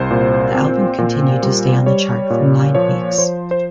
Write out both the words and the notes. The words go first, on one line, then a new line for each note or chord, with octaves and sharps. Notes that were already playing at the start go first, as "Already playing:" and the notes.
The album continued to stay on the chart for nine weeks.
Already playing: C2 C5
A#2
C4
A#2
G3
G3 C#5
A#2
F3 C#5
F3 C5
C5